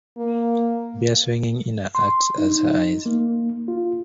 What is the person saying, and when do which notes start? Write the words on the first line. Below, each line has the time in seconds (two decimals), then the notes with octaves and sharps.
Beer-swigging Ina acts as her eyes.
0.18 A#3
1.95 C6
2.38 D#4
3.06 A#3
3.68 F4